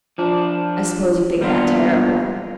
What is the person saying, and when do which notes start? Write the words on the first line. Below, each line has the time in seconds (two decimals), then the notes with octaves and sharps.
"I suppose you think that terrible."
0.18 F3 D4
1.41 G3 A#3 B3 D4 F4